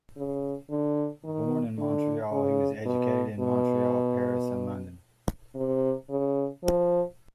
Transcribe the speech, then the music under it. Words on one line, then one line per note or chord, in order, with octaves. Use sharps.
Born in Montreal, he was educated in Montreal, Paris, and London.
C#3
D3
D#3
D3
C#3
B2
B2
C3
C#3
F3